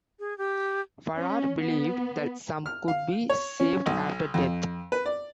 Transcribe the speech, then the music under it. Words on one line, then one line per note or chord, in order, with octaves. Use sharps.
Farrar believed that some could be saved after death.
G#4
G4
C#4
B3
F6
F5
C#5
C#4
B1
F2
B4
D5